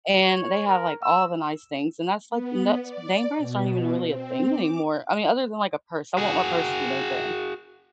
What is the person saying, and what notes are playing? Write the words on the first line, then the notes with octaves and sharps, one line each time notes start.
And they have, like, all the nice things, and that's, like and that's name brands aren't even really a thing anymore, I mean, other than, like, a purse. I want my purse to be name brand,
C#5
A#4
E6
B3
D5
B2
C4
D6
F#4 G#4